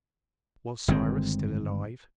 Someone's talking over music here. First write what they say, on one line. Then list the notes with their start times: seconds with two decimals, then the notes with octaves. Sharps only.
Was Cyrus still alive?
0.88 G1 D#3 G#3 C4